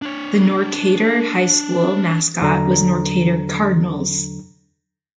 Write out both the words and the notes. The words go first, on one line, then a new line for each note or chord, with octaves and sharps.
The Norcatur High School mascot was Norcatur Cardinals.
D4 C#5
E2 D3 F#3 D4 A4 A#5